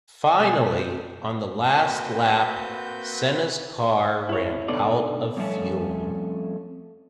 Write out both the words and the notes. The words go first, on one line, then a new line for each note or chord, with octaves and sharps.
Finally, on the last lap, Senna's car ran out of fuel.
B2 G3 G#4
A#3 C4 F#4 B4 G6
E4 C#5
B2 D3 B3 D#4 A4 D5
F2 G3 A3 C#4